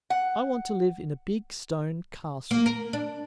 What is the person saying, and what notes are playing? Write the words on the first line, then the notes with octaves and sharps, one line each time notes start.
I want to live in a big stone castle.
F#5
A#3
A#4
D4